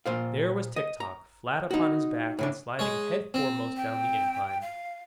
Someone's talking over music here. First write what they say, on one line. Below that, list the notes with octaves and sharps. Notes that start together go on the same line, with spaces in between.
There was Tik-Tok, flat upon his back and sliding headforemost down the incline.
A#2 C5 F5
D#5
A#5
D#4 F#4
A2 C#3 D4
G#3 C#5
C4
G5
F5